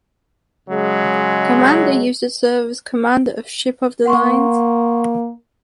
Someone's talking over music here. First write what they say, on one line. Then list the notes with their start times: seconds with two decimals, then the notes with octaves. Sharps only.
Commander used to serve as commander of ship of the lines.
0.69 C#3 F#3 G#3
4.06 A#3 F#5 C6 C#6